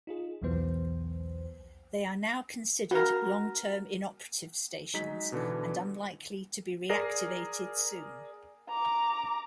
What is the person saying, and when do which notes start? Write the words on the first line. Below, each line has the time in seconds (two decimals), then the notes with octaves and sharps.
They are now considered 'long-term inoperative' stations, and unlikely to be reactivated soon.
0.07 D#4 F4 G#4
0.42 B1 E2 E3 F#3 B3 C5
2.91 C#3 F#4 A#4
4.94 F#3 G#3 D#4 B6
5.32 B2 D3 E3
6.89 G#4 A#4 D5 A#6 C7
8.69 A#5 D6